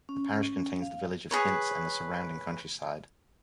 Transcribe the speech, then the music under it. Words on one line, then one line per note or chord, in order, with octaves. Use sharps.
The parish contains the village of Hints and the surrounding countryside.
C#4
F5
G#4 B4 C#5